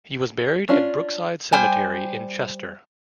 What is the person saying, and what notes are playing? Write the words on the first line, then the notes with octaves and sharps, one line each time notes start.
He was buried at Brookside Cemetery in Chester.
C#4 D4 F4
G3 C5 G5 G#5